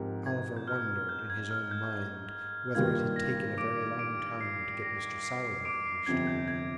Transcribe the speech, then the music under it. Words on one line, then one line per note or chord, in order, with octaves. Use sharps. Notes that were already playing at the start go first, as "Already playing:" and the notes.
Oliver wondered, in his own mind, whether it had taken a very long time to get Mr. Sowerberry used to it.
Already playing: G#2 F3 C4 G4 A#4
G#6
G6
F6
G6
G#6
F6
G6
G2 D#3 G3 A#3 F4 G#6
A#6
D6 D7
D6 D7
C7
A#6
C7
C7
D6 D7
C7
G1 F2 C3 G#6
G6
G#6